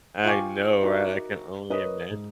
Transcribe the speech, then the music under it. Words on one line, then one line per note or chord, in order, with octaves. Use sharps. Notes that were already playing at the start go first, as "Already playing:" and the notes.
I know, right, I can only imagine.
F4 F5 G5 G#5 C#6 D6
D#4 F#4 A#4 E5
A#4 B4 C#5 D#5 D#6
G#2